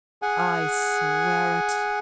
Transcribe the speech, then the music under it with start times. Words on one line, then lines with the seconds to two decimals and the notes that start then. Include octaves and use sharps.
"I swear it!"
0.22 G#4 F#5 G#5